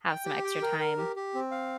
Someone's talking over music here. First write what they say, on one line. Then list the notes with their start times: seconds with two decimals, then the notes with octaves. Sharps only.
have some extra time,
0.08 G5
0.26 G4
0.44 G5
0.62 A#4
0.79 A#4
0.98 G4
1.16 G4
1.35 C4
1.51 F5